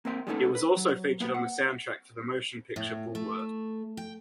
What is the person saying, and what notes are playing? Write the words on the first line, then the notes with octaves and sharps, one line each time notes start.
It was also featured on the soundtrack for the motion picture "Bulworth".
A#3 C4 E5 G5 C6
G3 G#3 B3 C#4 D#4 A4
B4
F#3
A#3 B3 B4
F#5
A2
A3
G5